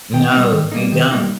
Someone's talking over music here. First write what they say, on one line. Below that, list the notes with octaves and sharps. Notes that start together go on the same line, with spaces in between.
No, you don't.
D#3 G5
G3 A#3 D#4
D#3
G3 A#3 D#4
D#3
G3 A#3 D#4